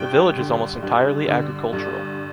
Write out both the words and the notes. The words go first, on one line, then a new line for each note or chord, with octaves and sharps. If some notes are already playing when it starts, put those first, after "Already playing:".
The village is almost entirely agricultural.
Already playing: G2 G5
D3
G2
D3
G2